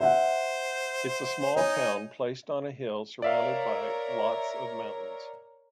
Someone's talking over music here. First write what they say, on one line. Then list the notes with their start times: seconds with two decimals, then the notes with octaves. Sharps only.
It is a small town placed on a hill surrounded by lots of mountains.
0.01 C5 E5 F#5
1.56 D#4 C#5 G#5
3.22 A#4 C#5 D5 E5 F5